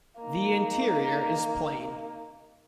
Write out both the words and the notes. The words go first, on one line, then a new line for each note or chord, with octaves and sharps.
The interior is plain.
A#3 D#4